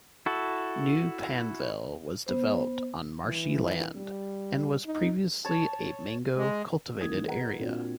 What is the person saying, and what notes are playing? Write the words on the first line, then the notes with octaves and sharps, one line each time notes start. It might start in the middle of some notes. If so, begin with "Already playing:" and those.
New Panvel was developed on marshy land and was previously a Mango cultivated area.
E4 F#4 A4
B3 C5
E3
G3
D#4
C#5 A5
G#3
C#2 D#3 E3 A#3 D#6 G#6
G#4 B4 D#5 F#5 A#5
A#2 C4 D4 F#4